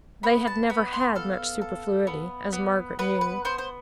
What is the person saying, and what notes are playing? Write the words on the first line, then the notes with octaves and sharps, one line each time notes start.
They had never had much superfluity, as Margaret knew.
B3 B5
A5
B3 B5
C6
A4 F5
A4
B3
B3
B3 B4
B4
B3 C5
C5